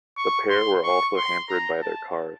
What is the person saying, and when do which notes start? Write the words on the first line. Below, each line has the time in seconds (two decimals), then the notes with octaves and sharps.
The pair were also hampered by their cars.
0.17 C#6
0.50 C6
0.83 C#6
1.16 C6
1.49 A#5
1.82 A5